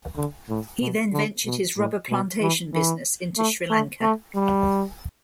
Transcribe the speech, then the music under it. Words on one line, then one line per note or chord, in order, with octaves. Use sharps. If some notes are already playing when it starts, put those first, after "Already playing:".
He then ventured his rubber plantation business into Sri Lanka.
D3
A2
B2
D3
B2
A2
B2
E3
E3
A3
A3
A3
G3